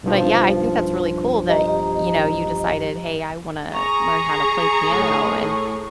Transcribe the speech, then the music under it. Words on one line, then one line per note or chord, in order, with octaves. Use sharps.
but, yeah, I think that's really cool that, y you know, you decided, "Hey, I wanna learn how to play piano," and
B1 G2 F3
G4 D#5 A#5
G#4 A#5 C#6
A2